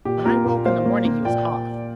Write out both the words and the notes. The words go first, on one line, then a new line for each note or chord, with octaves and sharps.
When I woke in the morning he was off.
A#2 G4
A#3 F4 A#4
A#2
A#3 C5 F5
A#3
A#3
A#2 D5 G5